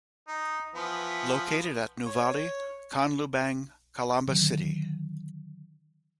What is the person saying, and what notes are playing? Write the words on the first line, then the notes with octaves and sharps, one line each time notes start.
Located at Nuvali, Canlubang, Calamba City.
D#4
E3 F3 B3
C#5
D3 D#3 F#3